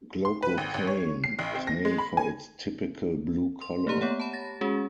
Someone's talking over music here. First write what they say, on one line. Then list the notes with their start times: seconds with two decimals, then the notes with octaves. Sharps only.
Glaucophane is named for its typical blue color.
0.25 C6
0.42 B4
0.58 G#1
0.74 G#1
0.87 C#5
1.24 C7
1.39 A1
1.55 C4
1.67 A#6
1.85 G#3
1.98 B5
2.17 G#5
3.61 C6
3.87 A3 A#3 G4 A#5
4.01 B3 C#5 F#5
4.20 A5 B5
4.33 A6 A#6
4.61 G#3 C#4 F#4 G#4